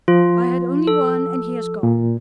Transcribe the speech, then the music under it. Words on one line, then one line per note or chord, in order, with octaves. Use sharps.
I had only one, and he has gone.
F3 F4
A4
A#2